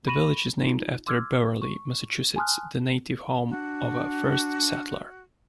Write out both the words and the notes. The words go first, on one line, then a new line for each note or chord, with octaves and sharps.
The village is named after Beverly, Massachusetts, the native home of a first settler.
B5 C#6 A#6 D#7 E7 F#7
D#4 F4
C6 D6 E6 F6 G#6
C#6
G#5 A5 C6 D#6 F6 F#6
D4 F#4